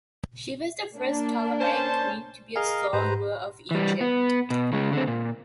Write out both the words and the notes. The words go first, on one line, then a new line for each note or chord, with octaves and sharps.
She was the first Ptolemaic queen to be a sole ruler of Egypt.
A#3 D4
C#4 C5 A5
G#4 A#4 D#5 F5 G#5
G#2 G4 B4 C5 A#5
E3 G3
B3
B2
C#3 G#3
D3 C4
A#2